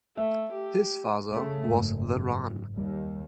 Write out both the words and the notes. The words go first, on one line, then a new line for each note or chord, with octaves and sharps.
His father was the Ran.
A3 E5
G4
C#3 A3
F#1 G#2
D#2 G3